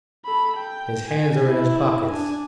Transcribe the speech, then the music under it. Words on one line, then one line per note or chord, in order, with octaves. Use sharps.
His hands are in his pockets.
A4 B5
G5
G#5
E4
D4 G#5